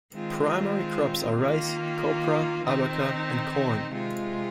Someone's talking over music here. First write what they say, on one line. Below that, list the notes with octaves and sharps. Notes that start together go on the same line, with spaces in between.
Primary crops are rice, copra, abaca, and corn.
D#3 G#3 C4 F4
D#3 A#3 F4
D#3 C4 D#4
C3 G#3 F4